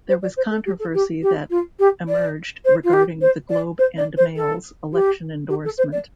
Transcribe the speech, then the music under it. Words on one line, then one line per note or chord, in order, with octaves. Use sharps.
There was controversy that emerged regarding the Globe and Mail's election endorsement.
C5
D5
C5
A4
G4
A4
G4
G4
F4
G4
D5
C5
F4
G4
C5
D5
C5
D5
C5
A4
G4
G4
A4
C5
D5